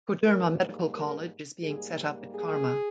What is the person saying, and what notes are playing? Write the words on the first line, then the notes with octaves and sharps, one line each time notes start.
Koderma Medical College is being set up at Karma.
G#2 G3 A#3 A#4
A#4
G#2 G3 A#3 G#4
G#4